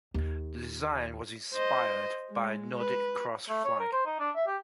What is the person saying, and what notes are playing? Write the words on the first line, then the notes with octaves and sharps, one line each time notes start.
The design was inspired by the Nordic Cross flag.
D#2
C5 D#5
G#3
B4
A3
C#5
A#4
C5
D#4
D4
E5
G4